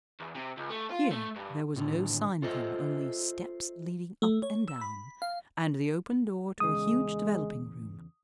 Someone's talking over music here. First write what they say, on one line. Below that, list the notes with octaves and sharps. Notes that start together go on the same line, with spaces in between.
Here there was no sign of him; only steps leading up and down and the open door to a huge developing room.
E2
C3
C#2
A3
F4
A3
G2
A2 D3 D#3
F4 A4 C5 D#5 E5
A3
C#5
E6
B5
F5
E2 C#3 G#3 D#6